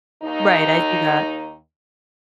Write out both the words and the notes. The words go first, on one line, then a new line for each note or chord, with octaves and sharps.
Right, I do that.
D#2 D#4